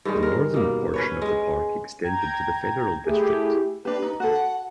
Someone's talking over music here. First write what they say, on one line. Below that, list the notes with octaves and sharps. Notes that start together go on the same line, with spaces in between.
The northern portion of the park extends into the Federal District.
G2 D#3 G3 G#3
A#4
B2 A#3
C#4 B4 C#5
G#3
G5 A#5 G#6
A3 E4 G4 G#4
D4 G4 B4
D#4
F#4 A4 F#5